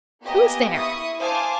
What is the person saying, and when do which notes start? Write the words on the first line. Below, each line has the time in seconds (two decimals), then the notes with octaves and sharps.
Who's there!
0.23 A#3 B3 G4 D#5 G#5
0.76 E4 C#6 D#6
1.19 C5 F5 G#5 A5 C6 D6